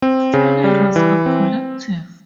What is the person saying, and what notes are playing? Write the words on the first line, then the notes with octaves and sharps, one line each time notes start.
Funerals are collective.
C4
C#3
G3
E3
C4